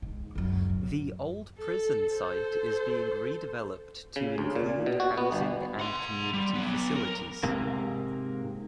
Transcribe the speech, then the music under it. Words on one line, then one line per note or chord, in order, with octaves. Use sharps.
The old prison site is being redeveloped to include housing and community facilities.
G#2
C#2 F#2
A2
A4
A4 C5
C#3
D2
A#2
B2
F#4
B3
G1
F#5 C6
G3
F#3 B3
A#4
G#2 C3 A#3